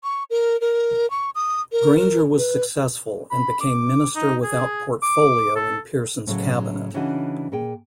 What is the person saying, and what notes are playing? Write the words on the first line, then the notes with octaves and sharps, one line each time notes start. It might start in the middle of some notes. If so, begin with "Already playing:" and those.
Granger was successful and became Minister without portfolio in Pearson's Cabinet.
C#6
A#4
A#4
C#6
D#6
A#4
B4
B5
D6
D#4
G#4
D6
A4
A2 C#3 F#3
C#3 E3 D4 D#4 F#4 G#5
A#2 G#4 G5